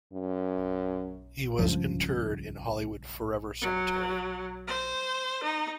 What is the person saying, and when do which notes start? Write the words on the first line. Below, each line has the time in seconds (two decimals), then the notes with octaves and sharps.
He was interred in Hollywood Forever Cemetery.
0.13 F#2
1.59 C#2 G2 F3
3.61 F#3
4.67 C5
5.43 D#4